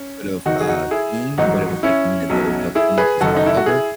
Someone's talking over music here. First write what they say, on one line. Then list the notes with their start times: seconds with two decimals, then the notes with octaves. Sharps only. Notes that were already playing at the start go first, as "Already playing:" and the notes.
sort of, uh, theme, but it was like in the the the form of his art cover,
Already playing: C#4
0.45 F#1 E2 D#3 D#4 F#4
0.60 G#4
0.69 D#4 F#4
0.91 E4 G#4
1.38 A1 G#2 D#3 F#3 D#4 F#4
1.83 C#4 E4
2.30 B1 B2 F#3
2.75 E4 G#4
2.98 G#4 B4
3.21 F#1 F#2 D#3 F#3 F#4 A4
3.37 D#4
3.46 E4
3.57 F#4
3.66 E4 G#4